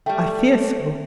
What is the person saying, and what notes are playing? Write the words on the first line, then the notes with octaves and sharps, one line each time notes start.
"I fear so."
G3 A3 G5